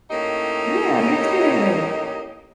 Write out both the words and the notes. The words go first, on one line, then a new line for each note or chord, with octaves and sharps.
Yeah, me too.
A2 A#3 C#4 D#4 G4 D#5